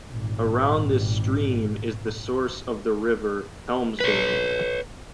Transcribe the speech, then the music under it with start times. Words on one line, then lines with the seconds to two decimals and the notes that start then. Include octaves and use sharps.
Around this stream is the Source of the River Helmsdale.
0.11 G#1 A#2
4.00 B4 C#5